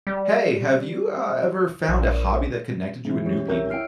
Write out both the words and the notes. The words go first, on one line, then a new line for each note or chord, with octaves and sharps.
Hey, have you, uh, ever found a hobby that connected you with new people?
G3
A#1
G#2 E3
C#4 G4 C#5
C2 A#4 C#5 E5 G6
E4 G5 F6 C7 D7